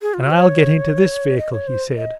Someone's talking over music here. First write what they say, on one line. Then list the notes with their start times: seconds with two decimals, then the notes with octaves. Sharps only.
"And I'll get into this vehicle," he said.
0.02 G#4
0.14 F4
0.24 F#4
0.30 C5
0.36 C#5
1.37 D#5
1.52 C#5
1.67 C5
1.97 D#5